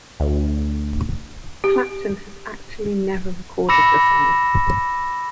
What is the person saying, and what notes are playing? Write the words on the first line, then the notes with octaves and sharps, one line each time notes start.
Clapton has actually never recorded the song.
D2
G4
B5 D6 E6 A#6 C#7 E7